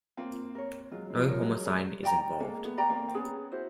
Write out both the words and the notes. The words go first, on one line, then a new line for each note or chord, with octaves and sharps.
No homicide is involved.
A#3 C4 F4
A#4 C#5
F#3 G#3 F4
G#3
F3 G3
A#4 C#5
F#3 G#3
G3 A3 A4
D5 G5 A#5
G#3 A#3 A4
A3 B3
D5 G5 A#5
A#3 C4
C4
B3 C#4 G#4
E4 F#4 C5